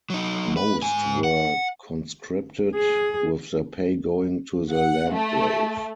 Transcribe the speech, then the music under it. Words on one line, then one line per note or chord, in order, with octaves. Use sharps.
Most were conscripted, with their pay going to the Landgrave.
F#3 D#4
B4
G#2 G#5
F#5
G#4
F#5
A3